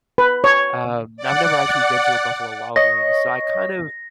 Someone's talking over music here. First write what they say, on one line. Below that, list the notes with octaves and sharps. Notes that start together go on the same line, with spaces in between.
um, I've never actually been to a Buffalo Wild Wings, so, I kind of
B4
C#5
D5 F#5
C#5 D#5 C#6 A#6